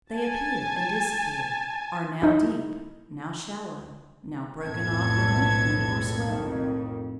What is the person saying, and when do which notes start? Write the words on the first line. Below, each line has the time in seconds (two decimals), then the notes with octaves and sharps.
They appear and disappear, are now deep, now shallow, now broken off or lengthened or swelling.
0.12 G#5 A5
2.22 D#4 E4
4.66 B1 F2 A2 B3 A4 G#6
6.29 F2 A2 D#3